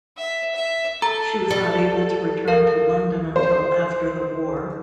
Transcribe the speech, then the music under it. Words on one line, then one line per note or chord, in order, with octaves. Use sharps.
She was not able to return to London until after the war.
E5
E5
A4 A#5
G3 A4
A#4 F5
C5